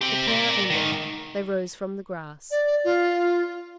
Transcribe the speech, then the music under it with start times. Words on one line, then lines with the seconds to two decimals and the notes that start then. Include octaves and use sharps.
The prayer ended, they rose from the grass.
0.01 C4 G4
0.27 A#4 D5
0.70 G#2 D#3
2.51 D5
2.84 F4